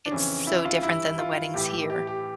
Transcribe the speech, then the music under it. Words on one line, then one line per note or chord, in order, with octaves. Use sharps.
it's so different than the weddings here.
D4
F2 C#3 E3 C#4
E4
F4
G2 E3 E4
F4
A2 E3 G4
G4
G4